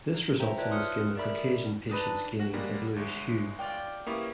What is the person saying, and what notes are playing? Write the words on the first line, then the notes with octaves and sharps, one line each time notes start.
This results in the skin of Caucasian patients gaining a bluish hue.
D#4
C5 E5 G5 A#5
F4 B4 C#5 D5 E5 A5
C6 C#6 D#6 F6 F#6 C#7
G#4 A#4 D5 E5 B5
D4 D#4 B4
F#4
G3 G#3 A#3
G1 G#3
F4 D5 G5
A#3 B3 C#4 E4 G4